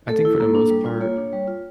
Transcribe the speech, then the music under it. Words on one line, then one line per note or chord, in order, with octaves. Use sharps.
I think for the most part
A3 A4
E4
A#3
D4
G3
F4
A#3 C#5
D4
G3
F4